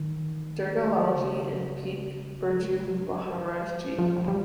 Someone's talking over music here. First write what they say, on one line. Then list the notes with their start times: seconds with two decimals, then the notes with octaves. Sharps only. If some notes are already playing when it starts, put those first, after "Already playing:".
Durga Lal Ji and Pt Birju Maharaj Ji.
Already playing: D#3
1.16 C#3
2.86 C3
3.15 C#3
3.33 F3
3.42 D#3
3.63 G3
3.70 F3
3.99 F3
4.28 G3